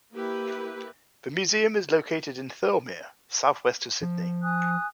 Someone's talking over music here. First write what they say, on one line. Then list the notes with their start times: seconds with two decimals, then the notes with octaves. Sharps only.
The museum is located in Thirlmere, south-west of Sydney.
0.13 A#3 E4 G4 B4
4.02 F3
4.41 G#5 D#6 F#6